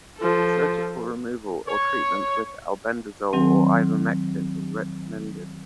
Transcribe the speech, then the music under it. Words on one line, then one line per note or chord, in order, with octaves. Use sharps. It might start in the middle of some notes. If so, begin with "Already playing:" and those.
Surgical removal or treatment with albendazole or ivermectin is recommended.
F3 A4
C#5
D#3 F#3 C4